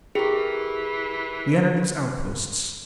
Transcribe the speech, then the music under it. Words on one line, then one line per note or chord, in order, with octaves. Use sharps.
We entered its outposts.
E3 G4 G#4 A#4